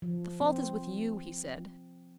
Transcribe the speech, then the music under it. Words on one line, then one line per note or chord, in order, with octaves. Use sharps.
"The fault is with you," he said.
F3
C4